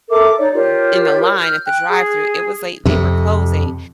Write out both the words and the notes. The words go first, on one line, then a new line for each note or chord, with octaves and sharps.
th in the line at the drive-thru, it was late, they were closing,
A4 A#4 E5 D6
D#4 C#5 D5
F4 G4 A#4 C#5
F6 G6
G5 F#6
G#4
F2 C3